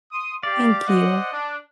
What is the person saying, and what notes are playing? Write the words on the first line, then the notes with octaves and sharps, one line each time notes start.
thank you.
C6 D#6
G4 D5 F5
C5 D#5 F#5
D4